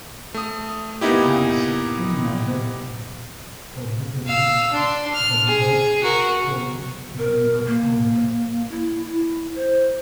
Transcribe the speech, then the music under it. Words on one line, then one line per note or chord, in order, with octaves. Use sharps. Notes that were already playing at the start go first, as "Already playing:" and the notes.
It has two major tributaries, the River Thurne and the River Ant.
A3 D#6
A#3 B3 D#4 E4 G4
F5 E6
D4 C6
F6
G#4
F#4 A#4
A#4
A#3
E4
E4
C5